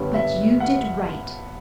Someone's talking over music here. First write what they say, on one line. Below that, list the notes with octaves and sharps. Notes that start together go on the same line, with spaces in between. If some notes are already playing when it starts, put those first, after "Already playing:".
But you did right.
Already playing: G2 D3 G3 B3 C#5
E5
F#5